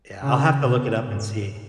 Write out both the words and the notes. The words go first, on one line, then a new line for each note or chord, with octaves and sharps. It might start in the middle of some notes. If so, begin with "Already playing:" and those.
Yeah, I'll have to look it up and see.
C#3
B2
G#2